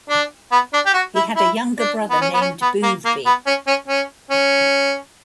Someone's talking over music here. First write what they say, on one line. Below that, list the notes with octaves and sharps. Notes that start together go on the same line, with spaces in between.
He had a younger brother named Boothby.
D4
B3
D4
G4
F#4
E4
E4
D4
B3
C#4
B3
C#4
B3
A#3
A#3
B3
C#4
C#4
C#4
C#4